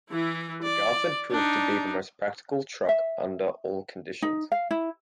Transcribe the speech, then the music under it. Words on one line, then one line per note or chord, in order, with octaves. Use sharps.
The Garford proved to be the most practical truck under all conditions.
E3 E4
D5
D4 D#4
E5
D#4
F5
E4